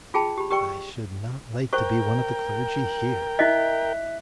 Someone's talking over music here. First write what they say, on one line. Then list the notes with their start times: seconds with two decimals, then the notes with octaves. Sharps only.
I should not like to be one of the clergy here.
0.14 F4 G#4 G5 A5 B5
0.38 G4 B5
0.51 G4 A#4 D5 G5 C#6
1.73 A#4 C5 G5 C#6
3.39 E4 D#5 E5 F#6 B6